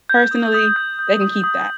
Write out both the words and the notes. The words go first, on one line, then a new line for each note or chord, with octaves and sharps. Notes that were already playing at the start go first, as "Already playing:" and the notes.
Personally, they can keep that.
G6
D#6
D#6
G6
G6
D#6
D#6